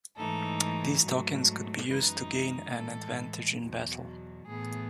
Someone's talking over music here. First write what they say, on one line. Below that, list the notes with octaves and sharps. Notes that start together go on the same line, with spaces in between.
These tokens could be used to gain an advantage in battle.
G#2 E3 A3 D#4 A4
G#2 F#3 A3
F#2 E3 G#3 D#4 B4
A2 E3 G#3 A4
E2 B2 F#3
A2 E3 B3 G#4